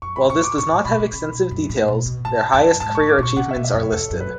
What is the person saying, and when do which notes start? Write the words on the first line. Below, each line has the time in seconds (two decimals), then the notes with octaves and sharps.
While this does not have extensive details, their highest career achievements are listed.
0.02 F#2 C#6
0.16 G#2 B5
0.29 A2 C#6
0.44 D6
0.57 A2 C#6
0.72 A2
0.85 B2 B5
1.00 C#3
1.13 C#3
1.33 B2
1.51 F#2
1.69 A2
1.88 B2
2.06 B2
2.25 A2 A5
2.53 E2 A5
2.67 F#2
2.80 G#2 A5
2.95 A2 C#6
3.09 D6
3.18 B2 C#6
3.37 C#3 F#5
3.51 E5
3.56 B2
3.65 E5
3.73 F#2
3.79 C#5
3.92 E2 A4
4.11 F#2
4.20 B4